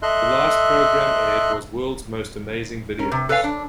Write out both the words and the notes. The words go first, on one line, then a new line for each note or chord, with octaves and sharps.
The last program aired was "World's Most Amazing Videos".
A4 D#5 E5 C6 F#6
C#4 A#4
C3
A4 B4 C#5 D5 F5 G#5
D4